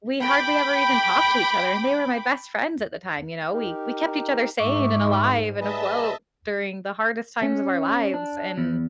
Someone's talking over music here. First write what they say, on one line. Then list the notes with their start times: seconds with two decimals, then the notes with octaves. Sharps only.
we hardly ever even talked to each other, and they were my best friends at the time, you know? We we kept each other sane and alive and afloat during the hardest times of our lives, and
0.22 G5 B5 D6
3.53 D#4 G4 A#4
4.59 G#2 E5 C#6 D6
5.60 G3 G#4 B4 D#5 E5 A5
7.43 C#4
8.14 D4
8.58 E2